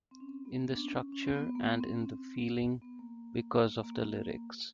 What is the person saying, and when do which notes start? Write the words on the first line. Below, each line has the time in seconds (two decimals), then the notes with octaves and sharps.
In the structure and in the feeling because of the lyrics.
0.11 C4
0.20 C#4
0.29 C4
0.45 B3
0.56 A#3
0.67 B3
0.75 D4
0.79 C#4
1.13 C#4
1.24 C4
1.35 B3
1.46 B3
1.55 A#3
1.63 B3
1.80 C4
1.92 C#4
2.03 C4
2.82 B3
2.99 A#3
3.83 A#3